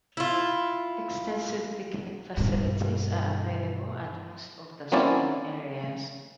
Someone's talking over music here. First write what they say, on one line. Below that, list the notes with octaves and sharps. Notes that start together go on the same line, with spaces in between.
Extensive picnic facilities are available at most of the swimming areas.
E4 F4
G2 B2
F#3 A#3 C4 C#4 E4 D5